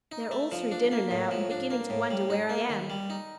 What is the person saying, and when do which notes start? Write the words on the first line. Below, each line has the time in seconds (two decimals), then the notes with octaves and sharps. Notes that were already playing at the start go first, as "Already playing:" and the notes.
They're all through dinner now, and beginning to wonder where I am.
0.12 D#4
0.31 A3
0.52 F3
0.71 D4
0.92 A#3
1.11 A2
1.31 F3
1.51 D4
1.71 A#3
1.90 A2
2.10 G3
2.30 D#4
2.49 A#3
2.69 D#3
2.90 G3
3.10 D#4